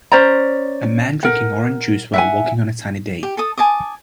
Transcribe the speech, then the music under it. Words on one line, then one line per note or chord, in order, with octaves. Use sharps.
A man drinking orange juice while walking on a sunny day.
C#4 C5 D5 A#5
A#4 F#5
E5 F#5 G#5
G4
A4 A5 D#6
G#5 A5 D6 D#6